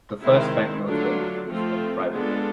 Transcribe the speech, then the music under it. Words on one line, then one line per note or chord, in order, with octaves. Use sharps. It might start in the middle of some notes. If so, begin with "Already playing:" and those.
The first banknotes were introduced by the private banks.
D#3 G#3 C4 E4
D3 F#3 A3 D4 F4
F3 A3 C4 F4
G#3 B3 D4 F4 A4